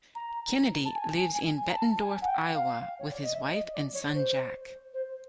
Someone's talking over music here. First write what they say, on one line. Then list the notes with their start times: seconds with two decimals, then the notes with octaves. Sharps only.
Kennedy lives in Bettendorf, Iowa with his wife and son, Jack.
0.15 A#5
0.85 A5
0.95 G#5
1.34 G#5
1.69 A#5
1.74 A5
2.01 G#5
2.22 F#5
2.28 G5
2.54 F5
2.99 C#5
3.11 D5
3.22 D#5
3.34 E5
3.53 D#5
3.73 D5
3.94 C#5
4.14 C5
4.93 C5